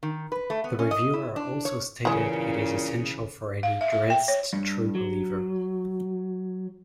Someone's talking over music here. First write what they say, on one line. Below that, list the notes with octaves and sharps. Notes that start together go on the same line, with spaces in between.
The reviewer also stated it is essential for any "Drizzt true believer".
D#3
B4
A3
B3
C#4
D#5
E4
D4
C#5
A#2 C#3 E3 G#3 G#4
F5
E5
E5
G5
C#5
G2
F#3